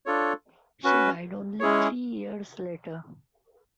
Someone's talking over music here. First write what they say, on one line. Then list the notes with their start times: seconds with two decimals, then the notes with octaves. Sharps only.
She died only three years later.
0.06 D4 F4 A4 C#5
0.84 C#4 F#4 B4
1.60 G#3 C#4 E4 G#4 C#5